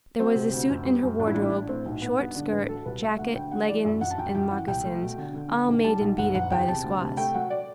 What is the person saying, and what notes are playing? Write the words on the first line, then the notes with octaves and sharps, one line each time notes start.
There was a suit in her wardrobe, short skirt, jacket, leggins, and moccasins, all made and beaded by the squaws.
F#3 C4
C3
D2
F#2
G3
F#2
A1 D4
E4
A1 D4
E4
A1 D4
A2 C4
B1
B1 B3
G2 B3
D3 D4
A1 B4
F#3 A4
C2 B4
A3 E5
D2 F#5
D2 G5
G3 F#5
E3 D5
F#2 E5
F#2 F#5
A5
F#2 G5
F#2 G5
E3 F#5
C2 G5
A3
B2
D3
D3
D3
B1
G3 A5
B1
F#1 F#5
F#1 F#5
E2 G5
C3 A5
D2
C3
A3 G5
F#3 F#5
D5